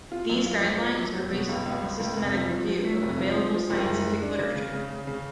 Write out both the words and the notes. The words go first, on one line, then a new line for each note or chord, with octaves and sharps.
These guidelines are based upon a systematic review of available scientific literature.
F4
F#2
F4
F3
B3
F#2
F#3
B2
C#2
C#2
C#2
C#2
F1
F3
F3
F3
A3
F1
F3
F3
F3
F#1
G#3
G#3
D4
C#3
C#3
C#3
C#3
C#3